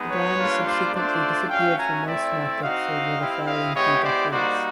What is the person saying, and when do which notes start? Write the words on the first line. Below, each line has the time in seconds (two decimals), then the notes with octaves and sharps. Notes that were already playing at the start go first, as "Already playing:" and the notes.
The brand subsequently disappeared from most markets over the following few decades.
Already playing: G#3 B3 D#4
0.09 B4 C#5
0.37 G3 A#3 D4 F4
0.65 C5 D5
0.93 A3 D4 F4 C5 D5
1.49 A3 C#4 F#4 F5 G5
1.78 G#5 A#5
2.06 A3 C4 E4 D5 E5
2.62 C4 D#4 F#4 D#5 F5
3.18 C4 E4 G4
3.46 D#5 F5
3.74 G#3 B3 E4 G4 C#5 D#5
4.02 C5 D5
4.30 G3 A#3 D#4 F#4 C5 D5